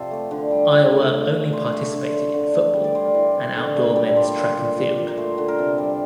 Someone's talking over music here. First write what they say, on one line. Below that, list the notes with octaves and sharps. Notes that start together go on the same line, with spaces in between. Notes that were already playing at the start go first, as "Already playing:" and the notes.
Iowa only participated in football and outdoor men's track and field.
Already playing: C3 F3 A4 C5 D5
A3
D3
G3
F3
A3
A3
D3
A3 C5
A3
D3
A3
D3
A3
G3
D5
G3 C5
A#4
E3
C3
D3
A3
G3 A4
G4
A#2 C5
A#2
A#2
A#2
A#2
A#4
A3 C5
D3 C5
A#4
C3 A4
G3